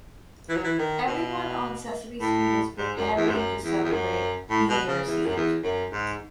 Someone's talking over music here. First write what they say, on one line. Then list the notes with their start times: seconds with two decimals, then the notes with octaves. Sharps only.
Everyone on Sesame Street is preparing to celebrate New Year's Eve.
0.49 E3
0.56 F#3
0.64 E3
0.79 D#3
1.07 B2
2.21 A2
2.78 G#2
2.98 F#2
3.16 E2
3.29 G#2
3.35 F#2
3.64 E2
3.84 E2
3.93 F#2
4.50 A2
4.69 B2
4.88 C#3
5.07 E2
5.27 F#2
5.36 E2
5.64 F#2
5.92 G#2